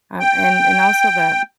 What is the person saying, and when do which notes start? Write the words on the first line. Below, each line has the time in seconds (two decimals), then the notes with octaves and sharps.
Um, and and also, that
0.20 G5